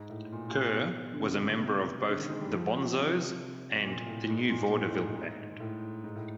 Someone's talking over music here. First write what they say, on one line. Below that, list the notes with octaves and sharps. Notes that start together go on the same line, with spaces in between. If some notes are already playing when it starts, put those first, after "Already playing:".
Kerr was a member of both the Bonzos and the New Vaudeville Band.
Already playing: G#2
A2
A#2
A#2
B2
D3
C#3
C#3
B2
C3
D3
D#3
G#3
G3
F3
C3
A#2
A2
G#2
A#2
A2
A2
G#2
G#2
A2
G#2
A2